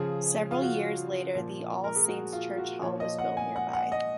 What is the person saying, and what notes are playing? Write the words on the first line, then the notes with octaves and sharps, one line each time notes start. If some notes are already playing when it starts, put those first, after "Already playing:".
Several years later the All Saints Church Hall was built nearby.
Already playing: C#3 F3 G#4
F4
F#4
A#2 F3
A#4
G#4
F#4
F4
F#4
A#2 F3 C#5
D#5
F#5
G#5
F#5
F#5
D#5